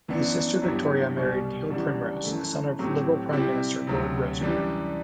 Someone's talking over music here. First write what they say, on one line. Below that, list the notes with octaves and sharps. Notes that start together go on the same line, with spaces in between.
His sister Victoria married Neil Primrose, the son of Liberal Prime Minister Lord Rosebery.
F#2 E3 B3 D4
G2 F#3 B3 E4 G4
C2 B2 G3
F#2 E3 G3 D4 F#4
F#2 E3 A3
A2 F#3 C4 G4
C3 G3 C4 E4 G4
D2 C3 F#3
F#2 E3 G3 D4 G4